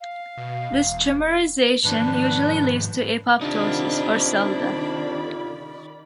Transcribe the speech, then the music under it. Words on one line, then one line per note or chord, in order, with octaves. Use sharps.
This trimerization usually leads to apoptosis, or cell death.
F5
B2
E1
G#2 D#3 F3 D4 B4
C3 D#3 D4 D#4 F4 D5 B5